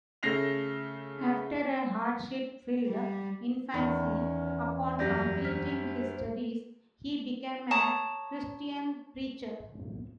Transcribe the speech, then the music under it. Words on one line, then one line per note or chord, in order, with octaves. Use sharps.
After a hardship-filled infancy, upon completing his studies, he became a Christian preacher.
C#3 A3 A#6 C7 F7
G3
E2 D#3 C#4
F#2 G3 D5 G6 A#6
D4 C5 F6 B6
C#5 A5 A#5 D#6